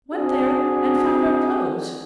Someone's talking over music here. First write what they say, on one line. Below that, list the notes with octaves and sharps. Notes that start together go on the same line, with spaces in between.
Went there and found our clothes.
C4 D4 F#4 G#4